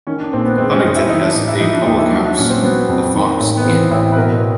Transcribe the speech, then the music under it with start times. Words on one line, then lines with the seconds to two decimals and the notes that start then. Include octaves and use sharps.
Honington has a public house, the "Fox Inn".
0.07 D#3 C#4
0.20 D4
0.33 A#1 C4
0.45 B3
0.58 G#3 C4
0.71 C#4
0.84 F#2 D#4
0.96 E4
1.09 E3 D#4
1.23 D4
1.35 A1 D#4
1.48 E4
1.60 F3 D#4
1.73 D4
1.86 D#2 D#4
1.98 E4
2.11 F#3 D4
2.24 D4
2.37 A#1 C#4
2.50 C4
2.63 F#3 B3
2.88 F2
3.15 D#3
3.39 A1
3.57 B3
3.65 E3 C4
3.91 A1 E4
4.12 B4
4.16 B2 A#4